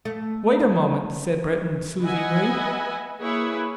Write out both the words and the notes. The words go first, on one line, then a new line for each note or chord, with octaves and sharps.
"Wait a moment," said Breton, soothingly.
A3
D#2
B4 D#5 E5 F#5 G#5
A#3 E4 G#4 B4 C#5 E5